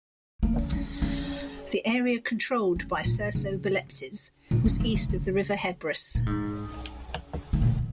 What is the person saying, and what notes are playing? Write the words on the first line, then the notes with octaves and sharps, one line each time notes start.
The area controlled by Cersobleptes was east of the river Hebrus.
A#3
C#4
C#4
C#4
A#2
C#3
A#2
C#4
C#3
C#3
C#3
A#2
G#2
C#3
A#2